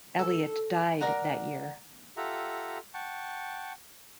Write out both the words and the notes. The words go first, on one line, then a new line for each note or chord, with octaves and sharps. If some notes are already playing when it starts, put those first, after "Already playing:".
Elliott died that year.
A4
A#4 D5 F#5 A#5
F4 G4 A4 E5 F#5 A#5
F#5 G5 A5 C#6